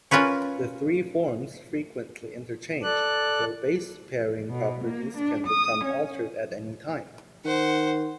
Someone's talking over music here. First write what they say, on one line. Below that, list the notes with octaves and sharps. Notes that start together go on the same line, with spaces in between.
The three forms frequently interchange so base-pairing properties can become altered at any time.
C#4 F4 A#4 B4 C#5
A4 D5 F#6
B2
A#3
D4
D#6
C#4
D#3 C5 F#5